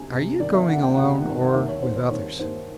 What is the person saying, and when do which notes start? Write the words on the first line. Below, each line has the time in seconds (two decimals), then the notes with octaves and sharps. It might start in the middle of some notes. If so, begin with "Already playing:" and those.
"Are you going alone or with others?"
Already playing: D2 C3 G#5
0.11 C3
0.40 D#3 D5
0.54 E5
0.68 D2 F#5
0.83 G5
0.97 C3 F#5
1.25 D#3
1.54 D#2 E5
1.68 C#5
1.82 D#2 C5
1.97 C5
2.11 D#2 C#5
2.39 D#2 C5